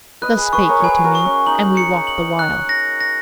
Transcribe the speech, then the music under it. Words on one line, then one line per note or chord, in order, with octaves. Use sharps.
Thus spake he to me, and we walked the while.
B4 D#5 F#6
G#4 B4
G#4 B4 C#6
A#4 C#5
G#4 B4 C#5 G#5
F#4 A#4
C#6
C#4
D#4 F#7
C#7
F#7
F#6
A#6
A#6